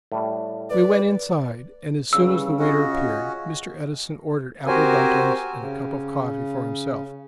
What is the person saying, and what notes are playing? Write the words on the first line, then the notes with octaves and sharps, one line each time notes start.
We went inside and as soon as the waiter appeared Mr. Edison ordered apple dumplings and a cup of coffee for himself.
A2 G3
B4 D5
E2 G2 C#3 G3 E6
C#4 F4 F#4 D#5
C4 F#4 G4 A#4 C5 G#5
C#3